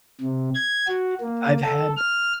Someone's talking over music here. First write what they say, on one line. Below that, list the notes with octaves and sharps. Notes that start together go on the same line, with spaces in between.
Y I've had
C3
G#6
F#4
A#3
A4
F6